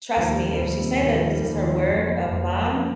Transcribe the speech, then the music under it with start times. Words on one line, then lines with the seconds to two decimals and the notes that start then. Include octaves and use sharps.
trust me, if she say that this is her word of bond,
0.16 D#2 D#3 F3 A#3
0.31 G3
0.45 G3
0.59 D#2 D#3 F3 A#3
0.80 C3
1.00 D#2 D#3 G3 A#3
1.14 F3
1.29 G3
1.43 D#2 D#3 A#3
1.63 F3
1.84 F1 F2 F3 G3 A#3
2.27 F1 F2 F3 A#3
2.68 F3 A#3